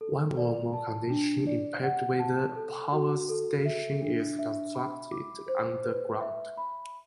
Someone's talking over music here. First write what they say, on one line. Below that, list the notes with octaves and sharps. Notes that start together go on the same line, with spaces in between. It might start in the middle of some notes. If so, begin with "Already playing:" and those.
One or more conditions impact whether a power station is constructed underground.
A4
D5
A5
D4
D5
F#5
A5
A4
F#4
A4
E5
D4
E5
B5
D6
C5
B4
E5
B5